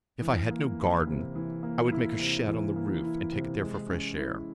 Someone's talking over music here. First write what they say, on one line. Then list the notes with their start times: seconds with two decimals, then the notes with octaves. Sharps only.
If I had no garden, I would make a shed on the roof, and take it there for fresh air.
0.22 E3
0.51 A#3
0.79 E4
1.07 C3
1.35 E3
1.63 A#3
1.92 E4
2.19 C3
2.48 E3
2.76 A#3
3.04 E4
3.32 C3
3.61 G#3
3.89 C#4
4.18 E4